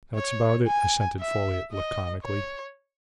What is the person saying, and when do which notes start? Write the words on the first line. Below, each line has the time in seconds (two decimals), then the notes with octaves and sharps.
"That's about it," assented Folliot laconically.
0.15 C#5
0.67 G#5
1.20 E5
1.72 D#5
2.24 C#5